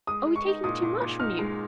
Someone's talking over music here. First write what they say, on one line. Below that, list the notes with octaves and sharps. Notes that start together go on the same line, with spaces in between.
Are we taking too much from you?
G#3 D#6
G#3
C#6
D#4
A#2 D#6
A#2
A#2
D#4 F6
G#3